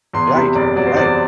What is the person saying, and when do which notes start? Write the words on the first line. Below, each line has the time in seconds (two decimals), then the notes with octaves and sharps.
Right, right.
0.13 E2 C6
0.35 C3 B5
0.55 F#1 D5
0.76 F#3 D5
0.87 C5
0.97 E2 D5